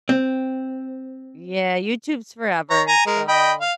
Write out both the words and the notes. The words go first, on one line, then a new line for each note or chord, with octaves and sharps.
Yeah, YouTube's forever, so
C4
C#5 A#5
G#5 A#5
G#3 A#4
D#5 G5 B5
F5